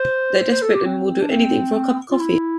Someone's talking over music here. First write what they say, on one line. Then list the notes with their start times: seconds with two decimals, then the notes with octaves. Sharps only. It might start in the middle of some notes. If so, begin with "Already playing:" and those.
They're desperate and will do anything for a cup of coffee.
Already playing: C5
0.40 C5
0.51 C5
0.62 A4
0.74 G4
0.85 C4
1.21 D4
1.30 C4
1.75 C4
2.11 F4
2.20 E4